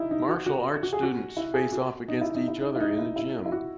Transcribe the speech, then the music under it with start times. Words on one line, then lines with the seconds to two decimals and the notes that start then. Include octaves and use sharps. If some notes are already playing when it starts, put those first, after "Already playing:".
Martial arts students face off against each other in a gym.
Already playing: D#4 E4
0.11 D#4
0.29 F#4
0.46 F#4
0.83 F#4
0.93 G#4
1.03 F#4
1.37 E4
1.54 G#4
1.72 F#4
2.08 D#4
2.21 E4
2.35 D#4
2.48 E4
2.61 D#4
2.76 E4
2.80 D#4
2.98 E4
3.16 E4
3.46 E4
3.52 F#4